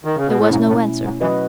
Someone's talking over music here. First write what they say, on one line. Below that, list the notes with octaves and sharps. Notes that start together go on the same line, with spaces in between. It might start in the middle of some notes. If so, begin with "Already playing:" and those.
There was no answer.
D#3
C#3
B2
A2
G#2 B2 A3 C#4 E4
A2
G#2
E3 F#3 C#4 F#4 B4 D#5